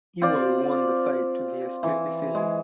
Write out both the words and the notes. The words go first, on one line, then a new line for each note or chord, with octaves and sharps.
Ewell won the fight via split decision.
C4 F4 D5
E3
G#3